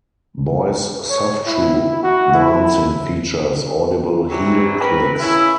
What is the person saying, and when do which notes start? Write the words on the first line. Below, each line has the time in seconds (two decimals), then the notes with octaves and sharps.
Boy's soft-shoe dancing features audible heel clicks.
1.10 C#5
1.47 E4
2.03 F#4
2.33 E4
4.29 C3 E3 F#3 G3
4.79 C4 A#4 B4
5.19 C#3 C#4 E4